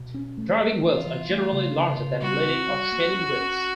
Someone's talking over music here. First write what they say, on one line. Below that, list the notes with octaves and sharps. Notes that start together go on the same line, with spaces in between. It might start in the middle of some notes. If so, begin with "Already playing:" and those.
Driving wheels are generally larger than leading or trailing wheels.
Already playing: B2
C#4
A3
A3
E3 F4
E3
A3
C#3
A#3
C#3
G3 F#4
C4
G3
A#3
C#4
C#4